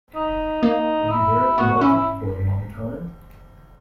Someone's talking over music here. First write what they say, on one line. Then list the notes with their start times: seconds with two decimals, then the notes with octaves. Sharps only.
Were you there at the market for a long time?
0.15 D#4
0.63 A#3 D#4
1.10 E4
1.58 B3 F#4
1.76 F#4
1.81 C#4 E4
1.94 E4